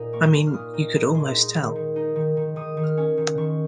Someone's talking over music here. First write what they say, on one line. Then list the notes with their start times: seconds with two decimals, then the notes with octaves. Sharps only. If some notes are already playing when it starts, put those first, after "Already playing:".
I mean, you could almost tell.
Already playing: A#2 D#4
0.13 A#3 C#6
0.34 A#2
0.47 F6
0.53 A#2 D#6
0.74 D#4
0.95 D#4
1.15 G#3
1.34 D#4
1.55 D#3
1.76 D#3
1.96 D#4
2.16 D#3
2.37 D#3
2.56 D#3 D#6
2.77 D#3
2.83 F6
2.97 C#4
3.17 D#3
3.37 D#3 C#6